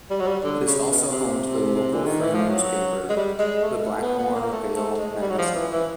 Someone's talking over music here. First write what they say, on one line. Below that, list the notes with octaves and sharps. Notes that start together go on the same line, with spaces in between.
It is also home to the local free newspaper, the Blackmore Vale Magazine.
G3
F#3
G3
D3
C#3
B2
C3
D3
D#3
E3
F3
F#3
G#3
G3
G#3
A3
A3
B3
B3
A#3
A3
A3
G#3
G3
F#3
F3
E3
E3